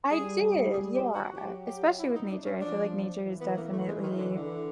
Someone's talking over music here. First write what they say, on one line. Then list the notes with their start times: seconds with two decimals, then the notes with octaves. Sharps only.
I did, yeah, especially with nature, I feel like nature is definitely
0.10 G3 G#4
0.73 G#4
0.94 G4
1.14 F#4
1.36 F#3 G4
1.67 G4
1.99 E4
2.15 D#4
2.30 D4
2.45 C#4
2.61 F3 D4
3.25 E3
3.41 B3
3.57 A#3
3.72 A3
3.88 G#3
4.03 D#3
4.18 D3
4.35 D3